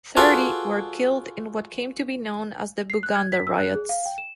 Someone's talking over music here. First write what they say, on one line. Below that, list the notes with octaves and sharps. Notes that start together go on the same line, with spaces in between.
Thirty were killed in what came to be known as the Buganda riots.
F4 F#4 G#4 A4 B4 D5
C7
F#6
G#6
B6
E6
F#6
G#4
F5
G5
E7